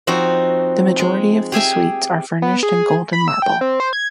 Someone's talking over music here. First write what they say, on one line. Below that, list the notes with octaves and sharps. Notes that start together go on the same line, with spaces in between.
The majority of the suites are furnished in gold and marble.
F3 C4 D#4 F#4
G#3
G4 G#4 E5 G#5
B3
G#4
B5
E6
G5
C4
C5
G#6